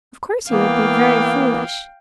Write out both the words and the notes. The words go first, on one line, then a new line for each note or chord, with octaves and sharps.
Of course he would be very foolish.
E3 A#3 B3 F5 G5